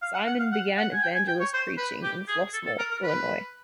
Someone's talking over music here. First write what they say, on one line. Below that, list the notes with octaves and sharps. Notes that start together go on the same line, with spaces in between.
Simon began evangelist preaching in Flossmoor, Illinois.
F5
F#5
F#5
F5
F#5
F#5
G#5
G5
G#5
G5
C#5
C5
B4
G4
G#4
A4
A4
A#4
A#4
B4